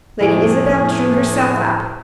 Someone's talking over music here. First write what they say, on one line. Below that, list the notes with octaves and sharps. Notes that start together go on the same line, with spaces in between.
Lady Isabel drew herself up.
F2 A2 C3 A3 E4 G#4 G#5 D7